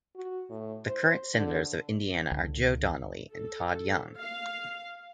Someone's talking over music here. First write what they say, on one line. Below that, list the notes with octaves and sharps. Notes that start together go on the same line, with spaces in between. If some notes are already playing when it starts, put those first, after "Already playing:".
The current senators of Indiana are Joe Donnelly and Todd Young.
F#4
A2
C5
D3
C#2 D3
A4
F5